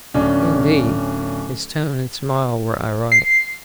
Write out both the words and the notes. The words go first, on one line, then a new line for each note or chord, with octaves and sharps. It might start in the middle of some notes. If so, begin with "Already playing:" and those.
"Indeed." His tone and smile were ironic.
D1 C#4 D4
C7